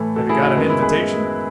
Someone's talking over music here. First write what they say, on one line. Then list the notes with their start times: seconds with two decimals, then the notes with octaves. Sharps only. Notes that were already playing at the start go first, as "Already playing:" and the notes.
"Have you got an invitation?"
Already playing: A2 E3 A3
0.16 F#4 A4
0.29 E4 G#4
0.42 D#4 F#4
0.56 F#2 D#3 G#3 B3 D#4
0.69 E4
0.82 G#4 B4